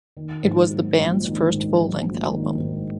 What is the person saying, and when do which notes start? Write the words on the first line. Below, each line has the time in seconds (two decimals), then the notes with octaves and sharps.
It was the band's first full-length album.
0.17 D#3
0.43 G#2
0.70 F#3
0.98 A#1
1.24 D#3
1.50 G#2
1.78 F#3
2.04 A#1
2.31 D#3
2.58 G#2